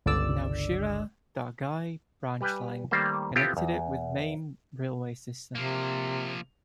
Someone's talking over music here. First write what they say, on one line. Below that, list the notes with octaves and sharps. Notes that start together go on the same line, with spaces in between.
Nowshera-Dargai Branch Line connected it with main railway system.
G1 C#2 D3 D5 E6
G3 G4 B4 G5 G#5
D#3 G3 A3 A#3 C5
B3 C4 E4 F4 G4 A4
E2
C3 F3 A#3